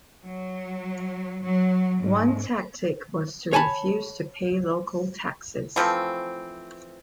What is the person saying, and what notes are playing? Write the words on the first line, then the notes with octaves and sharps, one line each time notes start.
One tactic was to refuse to pay local taxes.
F#3
F#3
G#2
C#5 G#5 A5 B5
E3 F3 A3 C4